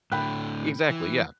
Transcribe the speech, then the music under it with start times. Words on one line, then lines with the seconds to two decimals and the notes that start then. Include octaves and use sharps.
Exactly, yeah.
0.12 A2 D3 G5 B5 F#6
0.90 E3